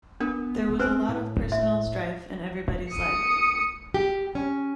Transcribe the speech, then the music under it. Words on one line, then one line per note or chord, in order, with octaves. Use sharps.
There was a lot of personal strife in everybody's life.
B3 D4 A#4
C4 B4 C5 G#5
A2
E5
D#6 C#7
G4
C#4